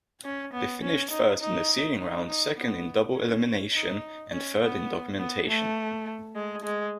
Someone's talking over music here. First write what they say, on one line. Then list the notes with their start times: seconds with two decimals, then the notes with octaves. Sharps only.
They finished first in the seeding round, second in double-elimination, and third in documentation.
0.25 C#4
0.53 B3
0.83 C#4
1.11 D#4
1.41 D#4
1.98 D#4
2.27 D#4
2.57 B3
3.15 C#4
3.73 D#4
4.32 C#4
4.60 B3
5.19 B3
5.48 A3
6.35 G#3
6.64 G#3